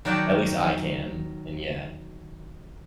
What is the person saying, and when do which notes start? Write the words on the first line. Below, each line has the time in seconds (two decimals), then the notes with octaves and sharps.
at least I can, and yeah.
0.05 D#3 F#3 D5 F#5 G5 A5